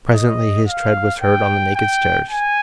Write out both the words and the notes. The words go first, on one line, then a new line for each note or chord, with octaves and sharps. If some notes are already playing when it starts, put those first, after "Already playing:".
Presently his tread was heard on the naked stairs.
D#5
F5
G5
G5
G#5